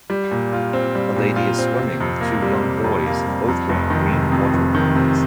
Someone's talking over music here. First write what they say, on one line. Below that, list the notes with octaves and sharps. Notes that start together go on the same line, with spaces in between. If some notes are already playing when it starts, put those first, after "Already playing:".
A lady is swimming with two young boys both wearing green water wings.
G3
A#2
F4
C4
G3
A#2
F4
C4
C3
F2
A#3
G3
C3
F2
A#3
G3
F2
F1
D#3
C3
F2
F1
D#3
C3